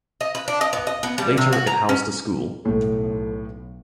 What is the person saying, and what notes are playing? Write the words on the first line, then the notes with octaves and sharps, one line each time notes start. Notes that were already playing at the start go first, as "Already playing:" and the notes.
Later it housed a school.
D#5
B4
D4
D#5
B3
D#5
B3
G3
C3
F#4
A#5
C#4
B1 A2 A3 A4